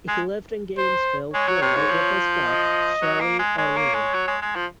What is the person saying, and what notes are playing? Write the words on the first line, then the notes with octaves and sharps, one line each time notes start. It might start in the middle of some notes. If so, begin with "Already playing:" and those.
He lived in Gainesville, Florida with his wife, Shelley Arlen.
G#3
C5
G#3 C#5
F#3
C3
G#2
F3
D#5
F#3
A#3
G#3
G#3 C#5
A#3
G#3
F#3
G#3
G#3
F3